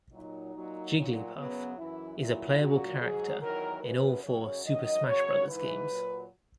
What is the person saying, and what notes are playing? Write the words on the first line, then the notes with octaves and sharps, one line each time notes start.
Jigglypuff is a playable character in all four "Super Smash Brothers" games.
A#2 F#3 D#4
A#2 F#3
A#2 F#3
F#2 C#3 F#3 B3
F#2 E3 E4
A#2 F#3 E4
A#2 F#3 F#4
G#2 F#3 G#4
E2 D#3 F#3 A#4
F#2 C#3 F#3 B4
F#2 C#3 F#3 C#5
F#2 D#3 F#3 D#5
F#2 C#3 F#3 C#5
G#2 E3 B4
A#2 F#3